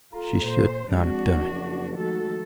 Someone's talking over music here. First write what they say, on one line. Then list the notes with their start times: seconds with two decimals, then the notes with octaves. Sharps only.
She should not have done it.
0.12 F4 A4 A#5
0.42 A#2 C5
0.92 F2 F3 G#3 C4 D4 F#4
1.30 F#1
1.96 D#3 F3 G#3 A3 F#4 A4